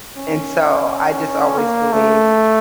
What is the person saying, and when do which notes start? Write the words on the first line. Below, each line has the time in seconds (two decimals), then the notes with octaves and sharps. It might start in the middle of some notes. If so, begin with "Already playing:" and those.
and so I just always believe
0.17 C#4
1.58 A#3
1.93 A3